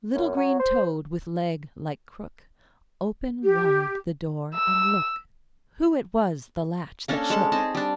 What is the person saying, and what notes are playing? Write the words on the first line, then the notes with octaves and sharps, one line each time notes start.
'Little green toad with leg like crook, Open wide the door, and look Who it was the latch that shook.'
F#2
F#3
C5
G4
E6
A#3 C#4 D4 A4
G#3 A4 A5
C4 D#4 G#4 A5
G3 D4